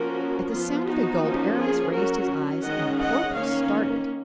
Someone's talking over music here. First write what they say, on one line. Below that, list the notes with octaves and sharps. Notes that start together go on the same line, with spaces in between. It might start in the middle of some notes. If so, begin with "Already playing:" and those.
At the sound of the gold Aramis raised his eyes and Porthos started.
Already playing: F3 A#3 C#4 F#4 A#4
F3 B3 F4
D#4 F#4
F3 A#3 C#4
F4 G#4
F#3 C#4 F#4 A#4
D#3 G#3 C#4 D#5 F#5
D#5 F#5
D#3 A#3 C#4 C#5 F5